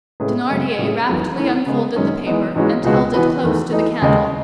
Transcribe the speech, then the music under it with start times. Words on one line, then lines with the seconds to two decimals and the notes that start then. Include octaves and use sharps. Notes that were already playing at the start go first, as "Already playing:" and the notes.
Thenardier rapidly unfolded the paper and held it close to the candle.
0.20 A2 G#3 C#4 G#4 B4
0.49 F#2 C#3 G#3
0.78 A2 F#3 C#4 G#4
1.08 E2 D#3 F#3 B3
1.37 D#3 A3 C#4 E4
1.66 C#3 G#3 B3
1.96 F#2 D#3 G#3 C#4
2.26 E3 G#3 B3 D#4
2.55 G#2 E3 G#3 C#4 F#4
2.84 C#2 B2 G#3 B3 F#4
3.14 E3 B3 F#4 B4
3.43 E2 D#3 A3
3.72 E3 A3 D#4
4.02 D#2 C#3 G#3 D#4